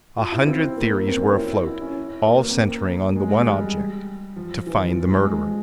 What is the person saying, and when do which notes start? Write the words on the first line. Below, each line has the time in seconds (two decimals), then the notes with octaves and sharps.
A hundred theories were afloat, all centering on the one object--to find the murderer.
0.17 F4
0.32 E4
0.47 C4
0.77 A#3
1.08 C4
1.22 C#4
1.33 C#4
1.37 E4
1.68 E4
1.81 C#4
2.27 A#3
2.42 A#3
2.50 C4
2.58 A#3
3.16 G#3
3.40 G#3
3.46 G3
4.36 F3
4.67 E3
4.81 F3
4.95 F3
5.12 G#3
5.26 G#3
5.35 F3
5.47 F3